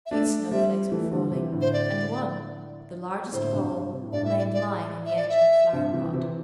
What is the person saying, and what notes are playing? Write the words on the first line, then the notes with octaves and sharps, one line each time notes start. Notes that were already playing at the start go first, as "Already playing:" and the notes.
A few snow-flakes were falling, and one, the largest of all, remained lying on the edge of a flower-pot.
E5
A3 D4 D5
G3 C4 E5
E3 A3
D3 G3
C3 E3
A2 D3
C5
D5
A2 D3 C5
G2 C3
G2
C3
A2
G2 D5
A2 E5
D5
D5
E5
D5
E5
G2 C3
C3 E3
C3 E3